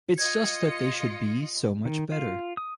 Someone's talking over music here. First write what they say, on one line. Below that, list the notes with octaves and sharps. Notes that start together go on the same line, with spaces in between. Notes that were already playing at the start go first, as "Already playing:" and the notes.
It's just that they should be so much better.
F4 D#5 G#6 C#7
D#3
F4
D#6